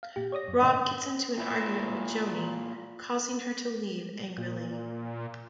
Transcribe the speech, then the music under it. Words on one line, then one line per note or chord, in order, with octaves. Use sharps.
Rob gets into an argument with Joanie, causing her to leave angrily.
F5
A#2 G4
C#5 D5 D#6 A#6
F#2
G2 A#2 D3 D#5
A#2 E4
A#2